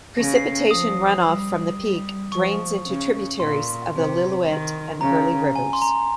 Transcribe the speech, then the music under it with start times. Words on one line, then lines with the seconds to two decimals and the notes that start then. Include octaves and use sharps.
Precipitation runoff from the peak drains into tributaries of the Lillooet and Hurley Rivers.
0.17 C#3 A#6
0.35 C7
0.71 F3 D#6
1.25 G3
1.79 G3
2.32 F3 C#6
2.87 C#3
3.40 A#2 C6
3.94 C3
4.47 D#3
5.01 C#3 A#5
5.56 G#5
5.73 C6
5.82 A#5